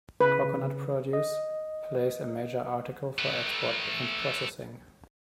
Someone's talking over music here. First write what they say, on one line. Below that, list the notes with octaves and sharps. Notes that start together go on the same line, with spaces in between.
Coconut produce plays a major article for export and processing.
C#3 B4
D#5
A3 B4